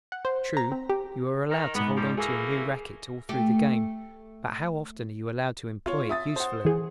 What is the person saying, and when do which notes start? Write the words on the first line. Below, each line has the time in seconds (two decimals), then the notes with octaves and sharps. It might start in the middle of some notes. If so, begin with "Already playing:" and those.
True, you are allowed to hold on to your new racket all through the game, but how often are you allowed to employ it usefully?
0.12 F#5
0.25 C5
0.44 B6
0.57 A#5
0.72 C4
0.90 G4
1.50 D#3
1.75 G#2 B3
1.95 F3 G3
2.18 E3 A3 A#3 G#4
3.29 A3 G4
5.86 F4 C#5
6.09 E5 D#6 A6
6.36 C5 F#5
6.65 E3 G#4